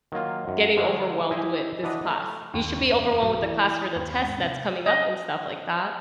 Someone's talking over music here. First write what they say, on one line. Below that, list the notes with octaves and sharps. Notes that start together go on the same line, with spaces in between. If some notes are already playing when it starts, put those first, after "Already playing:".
getting overwhelmed with this class. You should be overwhelmed with the class for the test that's coming up, and stuff like that.
D#3 F#3 A#3 F4
F#2
D3 F3 G#3 A3
E4 G4 C5 D#5 G#5
E3 D4 F#4 B4 D#5
A3
D#2
F#1
E2
B1
E3
D#6
D#2
G#2
C3
D#5